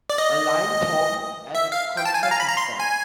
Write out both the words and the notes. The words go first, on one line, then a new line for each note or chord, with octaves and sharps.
A line forms at the concession stand.
D5
D#5
E5
F5
G5
A5
G#5
F5
A#5
B5
A#5
C6
G#5